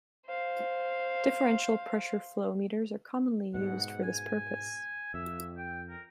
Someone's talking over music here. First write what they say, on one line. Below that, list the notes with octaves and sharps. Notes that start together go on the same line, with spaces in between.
Differential pressure flow meters are commonly used for this purpose.
C5 F5
G#2 B2 F#5
G#5
F2 E5
G5
A#4